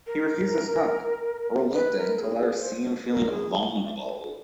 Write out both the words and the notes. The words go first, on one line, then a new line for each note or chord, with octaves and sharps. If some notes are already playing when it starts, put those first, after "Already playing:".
He refuses to talk, reluctant to let her see him feeling vulnerable.
A#4
B4
A#4
A4
G#4
G#4
C5
A#4
G#4